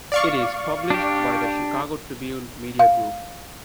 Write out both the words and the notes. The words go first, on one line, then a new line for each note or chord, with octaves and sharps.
It is published by the "Chicago Tribune" Media Group.
D5 F5 C#6
D4 G4
F5